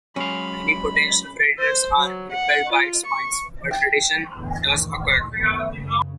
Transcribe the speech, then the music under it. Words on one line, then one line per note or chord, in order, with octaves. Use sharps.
Many potential predators are repelled by its spines, but predation does occur.
F#3 G#3 C#4 F5 B5
C5
F#3
F#5
F4
C#6
G5
E2 A2 D3 E3
F#1 D2 A#2 D#3 E3
D2 A#2
F#2 D#3 F3 A3 B3
F#2 C#3